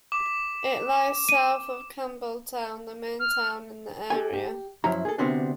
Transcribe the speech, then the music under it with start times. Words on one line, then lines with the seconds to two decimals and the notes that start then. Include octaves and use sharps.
It lies south of Campbeltown, the main town in the area.
0.12 D6
1.29 D#7
3.19 F6
4.10 G4 A4 G#5
4.33 G4
4.84 F#2 F3 F#3 E4 A#5
5.05 G#4 A4
5.18 D2 C3 B3 C4 D4